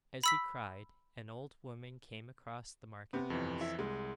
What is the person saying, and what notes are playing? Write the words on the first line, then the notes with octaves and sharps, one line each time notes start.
As he cried an old woman came across the Market Place.
B5 E6 B6
C3 B3
F2 E3
E4
C2 G#3